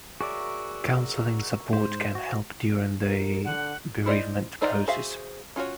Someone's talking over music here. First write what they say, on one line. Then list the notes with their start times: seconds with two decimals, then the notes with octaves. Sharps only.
Counseling support can help during the bereavement process.
0.21 F#4 G#4 A#4 C#5 D5 E5
1.73 G#2 C5
2.15 F#4
3.04 A#4
3.44 D3 F#5
4.06 E4 C5 D5 D#5
4.61 D#3 D#4 C5 D5 A#5
4.88 F#4 G#4 C5 E5 F5
5.56 C#4 F4 F#4 C#5